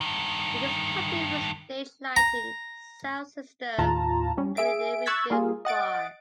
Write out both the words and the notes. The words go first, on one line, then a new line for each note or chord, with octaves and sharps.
It is complete with stage, lighting, sound system and newly rebuilt bar.
G2 D#3
A#5
D#2 A2 F4 A5 A#5
G3 C#4
G#4 E5 D7
C#6 E6 F#6 G#6 A6 B6
G3 A#3 F4 G#4
D#5 F#5 A6 D7